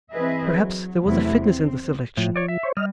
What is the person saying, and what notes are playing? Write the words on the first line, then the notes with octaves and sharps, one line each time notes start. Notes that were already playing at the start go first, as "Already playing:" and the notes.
Perhaps there was a fitness in the selection.
E3 C4 G#4 B4 D#5 E5
F#3
E2 C3 F#3 A3 E4
C4
A2 F3
C#5 D5
E5
C5 C#5
G3 D#5 F6